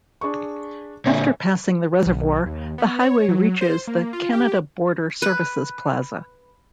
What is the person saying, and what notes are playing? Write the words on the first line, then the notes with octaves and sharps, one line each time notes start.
After passing the reservoir, the highway reaches the Canada Border Services plaza.
D4 G#4 C#6
A#2 D3 C#5 E5 G#5
B1
D#2
B3
C#5
F#3
C5
A#3
F4
G4
B4